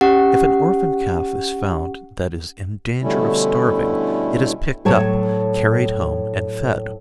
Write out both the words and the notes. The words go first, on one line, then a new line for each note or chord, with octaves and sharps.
If an orphan calf is found that is in danger of starving it is picked up, carried home and fed.
C#4 G4 F#5
B2 D3 G3 A3 C#4 E4
A2 F#3 C#5 G5 A5